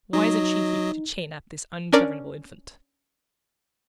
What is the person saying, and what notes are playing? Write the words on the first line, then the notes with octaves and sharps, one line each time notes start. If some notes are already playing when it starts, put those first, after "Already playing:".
"Why isn't she here to chain up this ungovernable infant?"
F#3 D#4 D#5
C#4 D4 A#4 D5